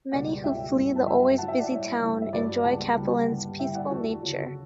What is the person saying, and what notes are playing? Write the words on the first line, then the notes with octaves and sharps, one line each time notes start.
Many who flee the always busy town enjoy Kapellen's peaceful nature.
C#2 B2 G3 D5 F#5
C#2 B2 F#3 E5 G5
F#2 E3 G3
A5
G2 F#3 E5 G5
A2 F#3 F#5 A5
E5 G5
D5 F#5
A2 G3 C#5 E5
G2 E3 G3
E5
G2 F#3 B4 D5
C#2 C#3 G3 F#5 A5
D2 C#3 G3
G2 D3 G3
A2 G3 E5 G5
D5 F#5
E2 D3 F#3 F#4 A4
D2 C#3 F#3